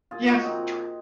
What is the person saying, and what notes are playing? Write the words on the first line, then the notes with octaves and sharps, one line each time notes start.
Yeah, true.
A#2 F4 G#4
F3 D#4 F#4
A#2 C4 D#4